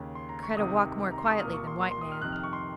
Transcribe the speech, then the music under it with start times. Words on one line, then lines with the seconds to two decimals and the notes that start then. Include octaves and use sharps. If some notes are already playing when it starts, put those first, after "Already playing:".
Kreta walk more quietly than white man.
Already playing: D#2 C#3
0.15 C6
0.29 A#5
0.43 C#6
0.57 C#2 C3 D#3 D#6
1.11 A#5
1.18 C6
1.25 C#6
1.32 D#6
1.39 C2 A#2 F6
1.53 C#6
1.67 C6
1.81 C6
1.91 C6
2.01 D#6
2.11 F6
2.22 F2 C3 D#3 F#6
2.32 F6
2.43 C#6
2.53 C6